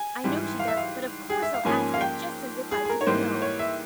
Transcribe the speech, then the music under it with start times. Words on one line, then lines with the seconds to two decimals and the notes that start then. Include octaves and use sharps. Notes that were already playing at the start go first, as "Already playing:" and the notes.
I know she doesn't but of course I'll ask her just as if I didn't know.
Already playing: G#5
0.24 G#2 E3 G3
0.59 F5
0.68 E5
0.77 F5
1.30 G#4
1.42 E5
1.54 F5
1.65 G#2 F3 A#3 C#4 G#5
1.94 F5
2.01 G5
2.71 G#4
2.85 G#4
2.89 A#4
3.01 C#5
3.06 G#2 E3 G3 A#3 C5
3.42 C#5
3.59 E5